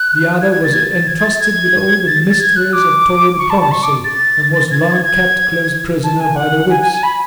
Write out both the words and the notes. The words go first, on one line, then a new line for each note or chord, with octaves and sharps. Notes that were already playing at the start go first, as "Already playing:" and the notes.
The other was entrusted with all the mysteries of Tory diplomacy, and was long kept close prisoner by the Whigs.
Already playing: F#6
G#6
G#6
A6
G#6
A6
G#6
G#6
A6
G#6
A6
A6
G#6
F#6
D6
C#6
A5
A5
C#6
D6
A6
G#6
A6
G#6
G#6
A5
G#5
F#5
G#5
G#5
G#5
B5